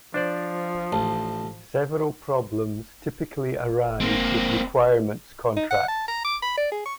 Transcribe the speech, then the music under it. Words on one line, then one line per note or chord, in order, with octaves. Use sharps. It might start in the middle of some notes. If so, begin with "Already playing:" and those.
Several problems typically arise with requirements contracts.
F3 D4 C5 D5
A1 A5
A#3 C4
D#4
F#5
A5
A#5
D6
B5
D5
G#4
C#6